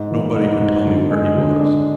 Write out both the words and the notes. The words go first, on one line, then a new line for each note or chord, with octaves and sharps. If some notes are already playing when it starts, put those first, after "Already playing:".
Nobody could tell me where he was.
Already playing: G#2
E3
G#2
G#2
D3
G#3
D3
D4